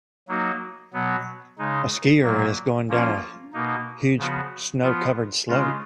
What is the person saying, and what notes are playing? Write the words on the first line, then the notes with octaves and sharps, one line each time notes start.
A skier is going down a huge snow covered slope.
F#3 A#3 D#4 F#4
B2 F#3 B3
C#3 G#3 D#4
A#2 F#3 A#3
F3 A#3 C#4 F4
B2 A#3 D#4
C#3 F3 B3 F#4
F3 B3 F4
C#3 G#3 C#4 F4